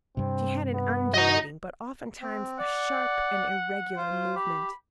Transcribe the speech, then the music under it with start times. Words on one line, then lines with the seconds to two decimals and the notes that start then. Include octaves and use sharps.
She had an undulating, but oftentimes a sharp and irregular movement.
0.17 G2 C3 C4
0.74 B3
1.14 F#4 D#5 A#5
2.22 C4
2.59 D5 F#5
3.97 F4 C5
4.36 G4 B5